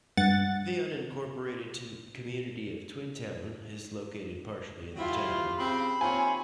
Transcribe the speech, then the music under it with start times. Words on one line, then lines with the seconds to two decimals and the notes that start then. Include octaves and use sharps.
The unincorporated community of Twin Town is located partially in the town.
0.17 G2 F#5 A6
4.96 F#3 E4 F4 G4
5.58 C#3 C4 B5
6.01 D#2 C4 F4 C#5 G#5